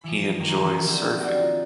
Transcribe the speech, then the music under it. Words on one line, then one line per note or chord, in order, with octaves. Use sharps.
He enjoys surfing.
E3 F3
D#3 A#3
E3 F#3 C#4
D3 C4 E4 G4
D#4 F#4 D5 F#5 G5
F4